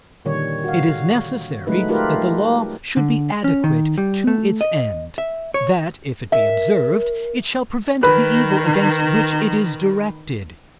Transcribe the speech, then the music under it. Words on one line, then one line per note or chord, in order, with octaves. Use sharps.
It is necessary that the law should be adequate to its end; that, if it be observed, it shall prevent the evil against which it is directed.
A#2 D3 D#3 G3 C#5
F#4 F5
F#3 G#3 A3 D#4 B4
A3 D#4 F4 G4 A#4 B4
D3
C#4
D#3
G3
A3
D#5
E5
C#5
A#4 E5
D#3 B4